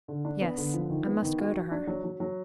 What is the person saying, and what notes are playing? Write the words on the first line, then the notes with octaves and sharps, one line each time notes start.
"Yes, I must go to her."
D3
D4
B3
D3
F3
D#3
B3
D#3
F#4
F#4
D4
F#3
F#3
F#3